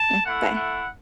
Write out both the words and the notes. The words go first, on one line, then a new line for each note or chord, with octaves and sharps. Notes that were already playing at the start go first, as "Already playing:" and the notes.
Mm, bye.
Already playing: A5
A3 E4 F#5
F#5